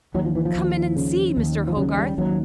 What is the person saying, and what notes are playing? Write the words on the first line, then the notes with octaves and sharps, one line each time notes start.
Come in and see Mr. Hogarth.
D#2 F#3
F3
E3
F3
D#2
C#3
D#2
F3
C#3 F#3
G#3
G3
D#2 F#3